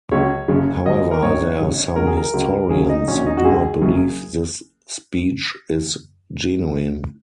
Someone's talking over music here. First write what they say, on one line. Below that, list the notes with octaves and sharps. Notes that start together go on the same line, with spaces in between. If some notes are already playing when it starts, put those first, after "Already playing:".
However, there are some historians who do not believe this speech is genuine.
C#2 C#3 F#3 C#5
F#1 F#2 C#3
D#2 D#3 F#3 D#5
A#4
G#1 F#2 D#3 C#5
G#1 F#2 C#3
C#2 C#3 F#3 A#4
G#4
A#4
C#2 C#3 F#3
F#1 F#2 C#3 F#3 G#4
D#4
A#1 A#2 F#3 C#4
D#4
F#4
C#2 C#3 F#3 G#4
F#1 F#2 C#3 F#3